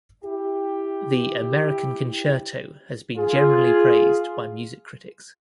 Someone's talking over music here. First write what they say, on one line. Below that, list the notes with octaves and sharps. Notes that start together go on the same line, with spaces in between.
The "American Concerto" has been generally praised by music critics.
E4 G4
F4 G#4